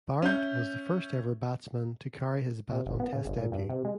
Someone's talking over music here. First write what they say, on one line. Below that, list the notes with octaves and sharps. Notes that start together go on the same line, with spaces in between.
Barrett was the first ever batsman to carry his bat on test debut.
C#4 E5 G6
C3
G1
B3
C#3
G1
A#2
G2
C3
G#3